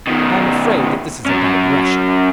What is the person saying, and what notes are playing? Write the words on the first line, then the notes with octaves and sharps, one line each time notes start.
I am afraid that this is a digression.
B2 D#3
F#3 C#4